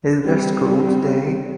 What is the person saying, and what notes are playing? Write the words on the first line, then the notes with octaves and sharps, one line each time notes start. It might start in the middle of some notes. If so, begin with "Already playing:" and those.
Is there school today?
G3 C4